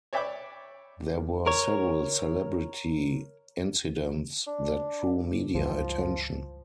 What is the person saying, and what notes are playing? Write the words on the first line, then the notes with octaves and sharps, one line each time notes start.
There were several celebrity incidents that drew media attention.
C#5 D5 E5 G5 B5 D6
A#4 C#5
D4
C#2 G2 E3 F3